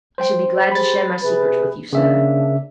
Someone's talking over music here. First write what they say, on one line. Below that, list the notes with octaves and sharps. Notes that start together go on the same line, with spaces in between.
I shall be glad to share my secret with you, sir.
C5 G5
G4 G#4 C5 B5 A6
C3 G#4 B4
C#3 A#3 D4 E5